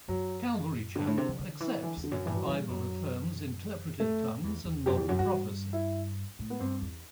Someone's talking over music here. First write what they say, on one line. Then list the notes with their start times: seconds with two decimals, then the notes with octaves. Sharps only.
Calvary Chapel accepts that the Bible affirms interpreted tongues and modern prophecy.
0.08 F#2 F#3
0.95 G2 D3
1.07 A2
1.17 C3
1.29 D3
1.39 D3
1.60 E3
1.82 D3 E3
1.97 E2
2.04 D3
2.11 F#2
2.25 G2 E3
2.36 F#3
2.45 G2 E3
2.69 F#2 F#3
4.00 A3
4.44 E2
4.65 E2
4.86 F#2 G4
4.97 E2 G4
5.09 F#2 F#4
5.19 G2 F#4
5.73 E4
6.39 A2
6.50 B3
6.60 G2 C4
6.82 E2